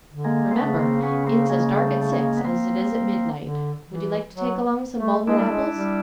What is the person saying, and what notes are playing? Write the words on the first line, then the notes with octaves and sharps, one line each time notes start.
Remember it's as dark at six as it is at midnight Would you like to take along some Baldwin apples?
D3
G#3 A#3
C4
C#3 A3 B3
A#3 C4
B3 C#4
A#3 C4
G#3 A#3
A#3
G3 A3
A3
G#3 A#3
B3
A#3 C4
D3
E3
F#3
A3
G#3 D4 E4
G3
G#3
G3